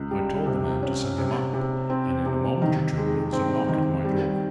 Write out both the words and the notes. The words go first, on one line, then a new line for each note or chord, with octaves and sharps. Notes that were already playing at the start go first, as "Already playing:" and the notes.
I told the man to send him up, and in a moment or two there was a knock at my door.
Already playing: C#2
G3
C3
C#4
C3
C3
C4
C3
D#3
G#3
C4
D#3
G3